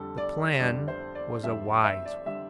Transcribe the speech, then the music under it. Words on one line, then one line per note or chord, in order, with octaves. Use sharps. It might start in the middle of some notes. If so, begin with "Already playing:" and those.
The plan was a wise one.
Already playing: F2 D3 G3 A4
D5
F2 D3 G3 D5
C5
D5
F2 D3 G3 E5
E5
D5
D3 G3 E5